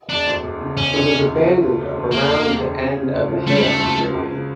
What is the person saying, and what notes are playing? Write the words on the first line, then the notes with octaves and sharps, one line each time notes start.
It was abandoned around the end of the Heian period.
E1 D4
D2
E1
C#3
E1 C#4
D2
E1
C#3
A3
D2
E1
D3
A3 A#3
D2
E1
D3
C#4
C#3
D2
F3
A3 C#4
G3
C#3 A3
D2
F3
C#2
C#3